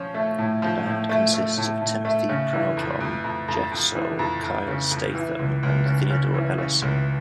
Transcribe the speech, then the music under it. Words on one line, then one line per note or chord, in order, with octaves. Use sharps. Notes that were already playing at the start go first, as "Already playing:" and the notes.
The band consists of Timothy Prudhomme, Geoff Soule, Kyle Statham, and Theodore Ellison.
Already playing: F3 C#4
A3
A2
F3
A2
A3
A3
A2
A2
A3
C#3
E3
F2
F2
F2
F2
F2
E3
F2
F2
C#3
F2
E3
C#2
C#2
C#3
C#3
E3
C#3
C#2